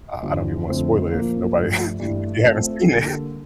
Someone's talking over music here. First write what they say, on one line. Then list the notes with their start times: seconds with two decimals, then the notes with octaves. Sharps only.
uh, I don't even wanna spoil it if nobody if you haven't seen it,
0.23 G2 D3 F3
0.67 F2 D3 A3 C4
1.11 A#2 F3 A#3
1.56 G2 F3 A3
2.00 G2 E3 A3 E4
2.45 A3 C4 F4 A4
2.89 D3 G3 A#3 D4 A4